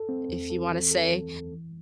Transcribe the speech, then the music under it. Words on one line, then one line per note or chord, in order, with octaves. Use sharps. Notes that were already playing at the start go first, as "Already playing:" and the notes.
if you want to say.
Already playing: A4
C4
E2
A4
E3
A4
E3
E2
E3